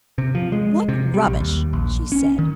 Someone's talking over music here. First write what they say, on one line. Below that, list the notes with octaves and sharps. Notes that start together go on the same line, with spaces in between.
"What rubbish!" she said.
C3
F3
G#3
C3
G3
A#1
D#2
A#1
C#4
D#3